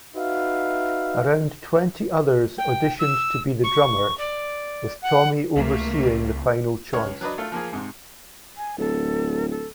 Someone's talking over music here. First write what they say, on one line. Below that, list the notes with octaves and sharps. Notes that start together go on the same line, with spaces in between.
Around twenty others auditioned to be the drummer, with Tommy overseeing the final choice.
D#4 F#4 B4 E5 F5
G5
E6
C#6
D5
F#5
C#2 A3 A#3
C#2 C#5
F#3 D4 B4 D#5
A3 F4 A4
F3 A#3 F4 G#4
G#2 C3
G#5
D1 A4
A4